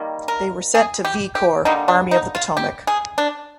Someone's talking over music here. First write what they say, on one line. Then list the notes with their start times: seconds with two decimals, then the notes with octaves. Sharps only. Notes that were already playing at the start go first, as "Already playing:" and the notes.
They were sent to V Corps, Army of the Potomac.
Already playing: D#3 G3 A#3
0.28 A#4
0.75 G#4
1.05 G4
1.35 G4
1.65 D3 G3 A#3 D#4
1.88 D4
2.11 D#4
2.35 F4
2.57 G4
2.87 G#4
3.18 D4